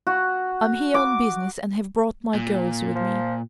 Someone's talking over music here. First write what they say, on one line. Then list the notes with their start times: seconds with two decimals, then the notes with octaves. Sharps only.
I'm here on business and have brought my girls with me.
0.07 F#4
0.94 D6
2.34 A#2
2.95 F3